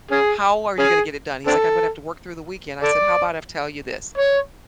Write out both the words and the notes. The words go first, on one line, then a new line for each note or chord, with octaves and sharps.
how are you gonna get it done?" He's like, "I'm gonna have to work through the weekend." I said, "How about I tell you this?
C#4 G#4
C#4 G#4
C4 D4 A4
A4 D5
C#5